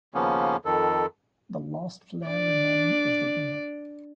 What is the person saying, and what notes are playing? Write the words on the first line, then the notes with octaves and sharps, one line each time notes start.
The last player remaining is the winner.
D#2 C#3 F3 A#3 B3 C#4
F2 D#3 A4
D4 D5